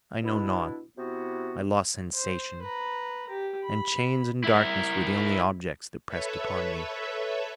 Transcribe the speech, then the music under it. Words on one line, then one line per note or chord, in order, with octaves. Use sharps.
I know not; I lost sensation, and chains and darkness were the only objects that pressed upon me.
B2 D4 E4
C3 B3 E4 F#4
C5
B4 A#5
G4
B5
E4 A#4
A4 B4 C#5 E5